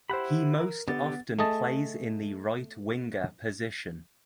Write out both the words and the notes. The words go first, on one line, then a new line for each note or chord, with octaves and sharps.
He most often plays in the right winger position.
E4 G4 C5 F#5 B5
A#4
D3 B3 G4 F#5 A6
A3 G#4 D#5 A5